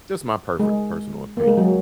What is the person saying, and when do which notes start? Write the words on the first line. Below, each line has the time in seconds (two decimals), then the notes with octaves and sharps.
Just my perfe personal opinion.
0.59 G#3
1.37 A#3
1.47 G#3
1.57 F#3